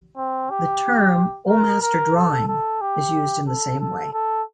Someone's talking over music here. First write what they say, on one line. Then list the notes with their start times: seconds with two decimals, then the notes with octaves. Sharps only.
The term "old master drawing" is used in the same way.
0.17 C4
0.50 G4
1.49 A#4
1.82 A#4
2.15 A4
2.48 A4
2.81 G4
3.48 A4
3.80 A4
4.13 A4